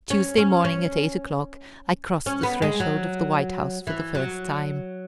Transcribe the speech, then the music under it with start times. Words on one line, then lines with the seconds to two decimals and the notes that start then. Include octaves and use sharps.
Tuesday morning, at eight o'clock, I crossed the threshold of the White House for the first time.
0.10 C#4
0.38 C#4
0.65 C#4
2.26 C#4
2.43 B3
2.62 G#3
2.80 F#3
3.87 E3
4.15 F#3